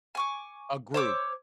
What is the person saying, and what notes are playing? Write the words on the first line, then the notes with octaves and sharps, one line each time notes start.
A group,
G#5 C#6 D6
C5 C#5 D6 E6